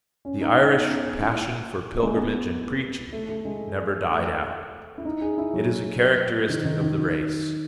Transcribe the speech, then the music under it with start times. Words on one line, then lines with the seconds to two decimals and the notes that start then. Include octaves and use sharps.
The Irish "passion for pilgrimage and preaching" never died out: it is a characteristic of the race.
0.25 C#4
0.41 D#4
0.57 D#4
0.73 B3
0.89 C#4
1.05 C#4
1.21 E4
2.03 G#3
2.10 A3
2.17 B3
3.13 A3
3.29 A3
3.45 G#3
4.10 A3
4.98 E4
5.05 D#4
5.21 G#4
5.38 E4
5.53 F#3
6.49 D#3
6.65 D#3
6.81 D#3
6.97 D#3